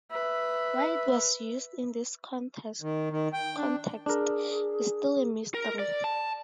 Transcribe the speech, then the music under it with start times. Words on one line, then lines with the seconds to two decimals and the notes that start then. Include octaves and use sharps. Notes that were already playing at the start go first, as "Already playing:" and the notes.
Why it was used in this context is still a mystery.
0.11 B4 E5
2.82 D#3
3.11 D#3
3.33 G5
3.57 D4
4.06 D4 G#4 A#4
5.54 A#4
5.79 D5
6.04 A5